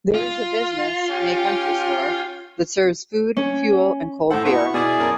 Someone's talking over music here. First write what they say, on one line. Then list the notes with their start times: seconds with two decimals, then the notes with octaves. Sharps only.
There is a business May Country Store that serves food fuel and cold beer.
0.15 F4
1.10 C#4 G4 G5
3.37 C#4
4.31 A2 A4 C5 F#5
4.45 B3 E4 F#4 C#6
4.74 B2 E4 G#4 D5
4.99 F#2 A#4 A5